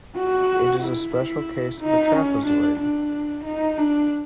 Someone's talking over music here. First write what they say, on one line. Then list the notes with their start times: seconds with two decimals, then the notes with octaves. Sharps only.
It is a special case of a trapezoid.
0.17 F#4
0.83 E4
1.15 E4
1.81 D#4
2.13 C#4
2.46 D4
2.80 D4
3.45 D#4
3.78 D4